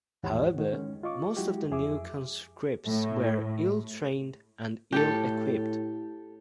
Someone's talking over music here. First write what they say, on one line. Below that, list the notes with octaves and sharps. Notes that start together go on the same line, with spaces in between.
However, most the new conscripts were "ill-trained and ill-equipped".
D#2 G#2 E3 G4 C#5 F#5
D#3
G#3 C#4
F4 D#5 C#6 D6
F#3 G#3 E4 F#4 G4
F2 G#4 E5 D6
A2
A2 G4 A4